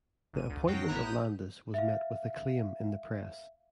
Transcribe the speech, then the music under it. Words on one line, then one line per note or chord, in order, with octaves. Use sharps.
The appointment of Landis was met with acclaim in the press.
G1 D#7
D2
F#2 F#3 G5 A#6 C7
A1 B3 E4 A#5 F#6
D#6 G6
E5 F5